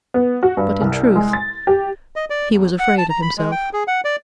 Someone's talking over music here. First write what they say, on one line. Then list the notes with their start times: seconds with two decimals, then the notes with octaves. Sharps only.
But, in truth, he was afraid of himself.
0.14 B3
0.43 F#4
0.57 G2
0.81 C2
1.16 G#3
1.33 A6
1.67 G4
2.16 D#5
2.30 D5
2.52 E2
2.79 F#5
2.98 A5
3.10 A#5
3.22 B5
3.38 G#3
3.52 G5
3.73 G#4
3.88 F#5
4.05 D5